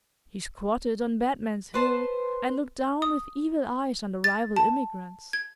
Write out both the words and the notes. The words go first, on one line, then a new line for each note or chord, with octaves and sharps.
He squatted on Batman's Hill, and looked down with evil eyes on the rival immigrants.
B4 C5 A5
D#6
A6
A5
G#6